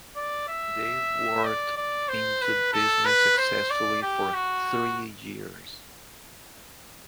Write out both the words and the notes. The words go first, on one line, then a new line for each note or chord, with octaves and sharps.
They worked in the business successfully for three years.
D5
E5
D5
D5
C5
B4
A4
B4
C5
D5
G4
F#4